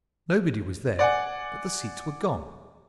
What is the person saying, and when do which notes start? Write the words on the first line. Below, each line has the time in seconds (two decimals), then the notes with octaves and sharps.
Nobody was there, but the seats were gone!
0.99 D5 F#5 G#5